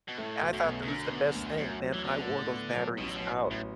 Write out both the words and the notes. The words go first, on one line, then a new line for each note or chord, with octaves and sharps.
and I thought that was the best thing. Man, I wore those batteries out.
B2
A2 A3
B1
F#2
B2
E2
F#2 D3
B3
D2
E2
F#2 F#3
F#3
E3
D3 B3
A2
B3
F#3
A1 B2
D3
B2
F#3
A1
A2